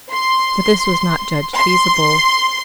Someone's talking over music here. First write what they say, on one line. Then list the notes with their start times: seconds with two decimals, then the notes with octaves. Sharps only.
But this was not judged feasible.
0.11 C6
1.55 C6